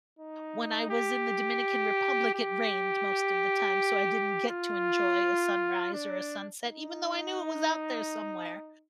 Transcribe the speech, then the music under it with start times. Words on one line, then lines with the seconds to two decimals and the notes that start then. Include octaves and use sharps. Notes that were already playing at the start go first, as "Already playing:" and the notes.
when I was in the Dominican Republic it rained most of the time so I didn't get to enjoy a sunrise, or a sunset- even though I knew it was out there somewhere.
0.19 D#4
0.90 G4
2.34 G4
4.49 F4
5.93 D4
6.64 D#4